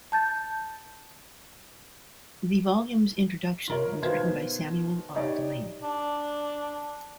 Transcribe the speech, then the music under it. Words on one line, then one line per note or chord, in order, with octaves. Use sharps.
The volume's introduction was written by Samuel R. Delany.
A5 G6 A6
F4 A#4 C#5
B2 D#3 B3 C5 F5 G#6
D#4 G4 C#5 D5
D4